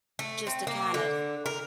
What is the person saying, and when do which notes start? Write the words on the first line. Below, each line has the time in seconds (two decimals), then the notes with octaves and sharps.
just to kind of
0.19 A3
0.47 C4
0.67 A#3
0.94 D3
1.46 A#4